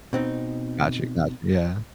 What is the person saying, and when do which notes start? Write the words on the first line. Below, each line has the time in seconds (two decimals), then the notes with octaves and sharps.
Gotcha, gotcha. Yeah.
0.13 B2 C4 D#4